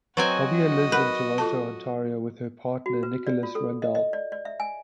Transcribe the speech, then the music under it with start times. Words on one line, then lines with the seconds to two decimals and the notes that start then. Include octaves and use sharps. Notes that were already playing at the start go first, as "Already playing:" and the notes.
Govier lives in Toronto, Ontario with her partner Nicholas Rundall.
0.17 F#3 C4 F#4 B4 D#5 G#5
0.92 A#4 B4 F#5
1.38 F4 A4 A5
2.86 F#4
3.03 B4
3.27 D5
3.43 F4
3.55 A4
3.82 D#5
3.95 D#5
4.13 D5
4.32 D5
4.45 E5
4.60 G#5